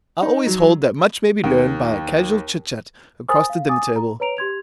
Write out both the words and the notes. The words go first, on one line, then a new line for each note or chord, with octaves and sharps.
I always hold that much may be learned by casual chit-chat across the dinner-table.
D#4
F#3
D#2
A#4 C5 G#5 B5 D#6 A6
F5
G#5 D6 D#6 A6
A#5
B4 C#5 A#5 D7 F7
G4 C6 G#6 F7